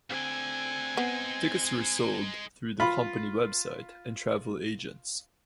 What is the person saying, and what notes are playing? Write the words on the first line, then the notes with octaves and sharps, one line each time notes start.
Tickets were sold through the company website and travel agents.
D2 D3 C4 G#5
G#3 B3 D#4
F4 B5